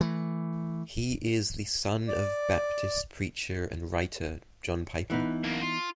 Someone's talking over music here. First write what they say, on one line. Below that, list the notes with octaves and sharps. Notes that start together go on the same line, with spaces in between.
He is the son of Baptist preacher and writer John Piper.
E3 A3
D5
E3 B3 D#4
F#2 A#3
F4